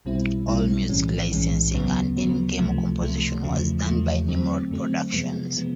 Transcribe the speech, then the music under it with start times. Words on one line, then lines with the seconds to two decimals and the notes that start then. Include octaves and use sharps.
All music licensing and in-game composition was done by Nimrod Productions.
0.05 B1 B2 G3 C4 E4
0.47 B1 B2 G3 C4 E4
0.89 B1 A2 E3 G#3 C#4
1.32 B1 A2 E3 G#3 C#4
1.74 D2 C#3 F#3 B3
2.17 D2 C#3 F#3 B3
2.59 C#2 C3 F3 A3
3.01 C#2 C3 F3 A3
3.43 E2 C#3 F3 A3
3.86 E2 C#3 F3 A3
4.28 F2 D3 F#3 A3 C4
4.71 F2 D3 F#3 A3 C4
5.13 F2 C3 F3 G#3 B3
5.56 C3 F3 G#3 B3